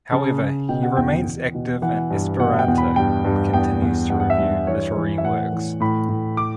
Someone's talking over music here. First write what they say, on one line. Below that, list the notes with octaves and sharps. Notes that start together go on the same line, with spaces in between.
However, he remains active in Esperanto and continues to review literary works.
C#3 A5
C#3
B2 G5
F#5
E2 G5
E2
B2
E3 F#5
G2
B2 F#5
G5
E2
B5
G2 G5
G2
E2 G5
E2
G2 F#5
F#5
E5
G2
E3 C#5
E3
E5
A2 F#5
E3
A2 B5
A2
D6